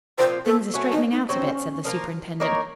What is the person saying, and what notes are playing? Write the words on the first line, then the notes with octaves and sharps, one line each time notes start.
"Things are straightening out a bit," said the superintendent.
A#2 F3 C4 F4 C5
A4
F#3 A3 C#4 F#4
D#4
D#4
F#3 C4 C#4 F#4 C5
F3 A#3 F4 A#4
A#3 D#4 A#4 C#5